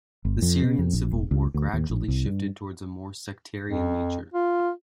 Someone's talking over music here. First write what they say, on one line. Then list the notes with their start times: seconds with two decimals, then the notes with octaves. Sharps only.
The Syrian civil war gradually shifted towards a more sectarian nature.
0.25 G1
0.42 F2
0.62 B2
0.78 F2
0.93 A#1
1.11 E1
1.31 C#2
1.54 D2
1.73 D#2
1.90 A#1
2.08 C2
2.26 G2
3.67 F2
4.33 F4